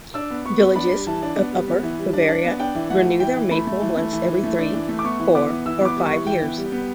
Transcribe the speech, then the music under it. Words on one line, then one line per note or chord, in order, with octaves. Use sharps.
Villages of Upper Bavaria renew their Maypole once every three, four, or five years.
D4 E6
B3
B3 C#6
B3
D4 B5
G3
E3 A5
D4
B3
G3
B3
E3
G3
D4
D4
B3
D4 G5
E3
A3 F#5
E3
E3 G5
E3
A3 B5
A3
E3
A3
E3
E3
A3
D4
E3
A3
D6
B3 C#6
E3
B3 D6
E3
E3 E6
B3 D6
G3
E3 C#6
E3 G5
B3
G3
B3